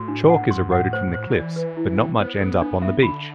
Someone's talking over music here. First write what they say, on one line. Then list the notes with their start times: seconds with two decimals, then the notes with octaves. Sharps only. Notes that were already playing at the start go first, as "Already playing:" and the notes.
Chalk is eroded from the cliffs, but not much ends up on the beach.
Already playing: A2 F#4
0.08 D4
0.29 F#5
0.51 G2 C6
0.72 F#5
0.79 A2
0.93 C5
1.07 A2
1.14 C5
1.27 F#3
1.35 E3 D5
1.56 B4
1.77 E4
1.98 G5
2.19 B3 C5
2.40 A4
2.61 D4
2.82 E5
3.03 D3 B5